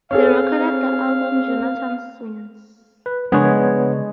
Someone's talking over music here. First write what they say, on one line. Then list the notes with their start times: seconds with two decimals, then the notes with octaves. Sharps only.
They recorded the album Jonathan Sings!
0.11 C4 G#4 A4 C#5 F5
3.06 B4
3.32 C#3 G#3 B3 D4 B4 C#5